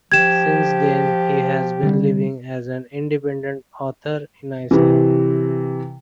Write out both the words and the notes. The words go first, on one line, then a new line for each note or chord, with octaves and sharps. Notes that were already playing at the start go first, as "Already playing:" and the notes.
Since then he has been living as an independent author in Iceland.
F3 G4 G#6 E7
D3 G3
C3 E3